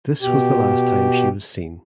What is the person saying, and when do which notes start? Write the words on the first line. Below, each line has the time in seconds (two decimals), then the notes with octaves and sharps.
This was the last time she was seen.
0.22 B2 G4